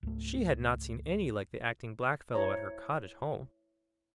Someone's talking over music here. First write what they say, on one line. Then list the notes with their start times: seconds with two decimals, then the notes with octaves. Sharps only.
She had not seen any like the acting Blackfellow at her cottage home.
0.03 C#2 G#2 A3
2.34 E4 C5 C#5 A#5